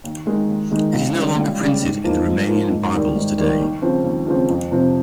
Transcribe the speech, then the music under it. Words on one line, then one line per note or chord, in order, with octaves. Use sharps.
It is no longer printed in the Romanian Bibles today.
D#2
D#3 G#3 D#4
D#2
D#3 G#3 D#4
C#2
C#3 G3
C#2
C#3 G3
G#2
F3 A#3 D#4
G#2
F3 A#3 D#4
G#2
D#3 G3 A#3
G#2
D#3 G3 A#3
D#2
C#3 F3 C4
D#2
C#3 F3 C4
F2
C3 F3 C4